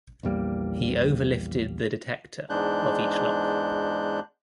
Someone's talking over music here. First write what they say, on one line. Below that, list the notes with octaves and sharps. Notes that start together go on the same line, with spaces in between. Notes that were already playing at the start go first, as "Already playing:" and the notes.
He overlifted the detector of each lock.
A#1 E2 G3 A#3
E2 G#2 G#3 D4 F#6 G6